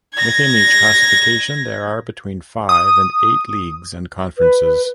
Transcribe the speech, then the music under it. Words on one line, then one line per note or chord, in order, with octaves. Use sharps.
Within each classification, there are between five and eight leagues and conferences.
G#6 A#6
D#6
B4